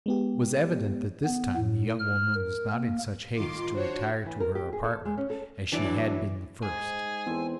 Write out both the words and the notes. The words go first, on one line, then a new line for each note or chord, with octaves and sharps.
It was evident that this time the young woman was not in such haste to retire to her apartment as she had been the first.
G#3 B3 G4
B3
A2
F6
A#4
A#3
G1 D#3 F4 C6 D6
D4 F#4 C5 C#5
E3
A#4
G4
G#4
A4
G#3
C#4
A4
E3 F#3 D4 E4 D5
G#2 G#4 G#5
E2 C4 A4 C5